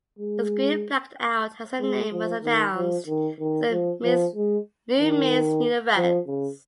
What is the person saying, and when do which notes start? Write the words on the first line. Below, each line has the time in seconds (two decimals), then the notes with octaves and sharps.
The screen blacked out as her name was announced as the new Miss Universe.
0.19 G#3
1.80 G#3
2.12 F3
2.43 D#3
2.75 F3
3.07 D#3
3.40 D#3
3.71 F3
4.04 F3
4.35 G#3
4.99 D#3
5.96 F3
6.27 C#3